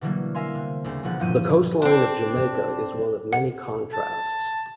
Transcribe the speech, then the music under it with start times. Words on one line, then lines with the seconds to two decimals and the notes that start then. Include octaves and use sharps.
The coastline of Jamaica is one of many contrasts.
0.01 B2 D3 E3 F#3 G3 A#3
0.34 A#4 E5 F5 G#5 C6
0.54 C3
0.84 D2 C#3 C4
1.03 E1 D2 B2 F3 F#5
1.19 G2 A#2 E3 F3 G6 D#7
1.82 C4 D4
3.33 F#5
3.93 A5